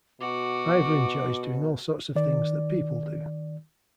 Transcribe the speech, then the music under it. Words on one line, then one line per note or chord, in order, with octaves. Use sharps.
Ivor enjoys doing all sorts of things that people do.
B2 F#4 D6
D#3 D5